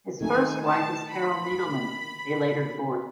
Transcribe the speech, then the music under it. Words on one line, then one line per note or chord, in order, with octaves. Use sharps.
His first wife was Carol Needelman; they later divorced.
D#3 A3 D#4 G#5
A5
B5